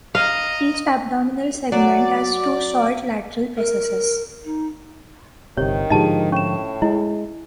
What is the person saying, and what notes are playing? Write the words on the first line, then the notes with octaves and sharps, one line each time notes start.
Each abdominal segment has two short lateral processes.
D#5 F5 A#5
F#3 D5
A#4
D#4
G1 C3 D#3 G4 C#5
G#2 D3 F3 D#4 G4 G#4 D#5 A5
A2 C#4 C#6 E7
G#3 E4 D#5